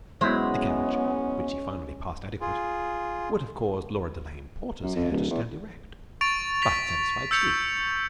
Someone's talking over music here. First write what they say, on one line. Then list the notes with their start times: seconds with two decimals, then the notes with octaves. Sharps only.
The couch which he finally passed adequate would have caused Lora Delane Porter's hair to stand erect, but it satisfied Steve.
0.21 F#3 G#3 B3 C#4 E4 C5
2.41 F4 G#4
4.83 F#2
4.96 F2
5.11 D1
5.31 E2
6.21 C#6 A6 D7 F7
6.62 A6 B6 F7
7.31 E6 G6 C#7 F7